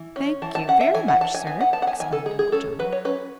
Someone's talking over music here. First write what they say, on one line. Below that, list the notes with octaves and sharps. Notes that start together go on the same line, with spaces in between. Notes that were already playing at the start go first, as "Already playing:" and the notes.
"Thank you very much, sir!" exclaimed Uncle John.
Already playing: E3
C#4
E3 A5
A5
C#4 F#5
E5
E3 G#5
F#5
E3 A5
G#5
B3 G#5
F#5
B3 A5
F#5
G#5
D#3 G#5
A4
G#3 G#4
G#4
C#4 A4
F#3 B4
C#5
C#4 B4